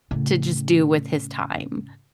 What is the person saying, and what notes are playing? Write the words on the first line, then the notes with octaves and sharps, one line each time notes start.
to just do with his time.
A2 C#3